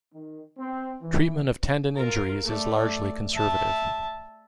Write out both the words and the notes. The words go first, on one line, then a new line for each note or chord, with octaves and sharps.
Treatment of tendon injuries is largely conservative.
D#3
C4
E3
F4 A#4
A3 D5
E5 A5